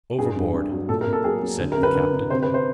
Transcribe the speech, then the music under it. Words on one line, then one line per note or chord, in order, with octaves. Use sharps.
"Overboard!" said the captain.
G2 G#4
G2
G2
F#3
A#2 A4
A#4
A#2
A4
F#3 G#4
F#3
D3
A#4
F#2
B4
D3
D3
C3 C5
B4
C3
C5